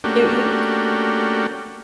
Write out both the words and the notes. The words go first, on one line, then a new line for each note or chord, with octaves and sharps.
You you
A3 A#3 C#4 D4 F#4 G4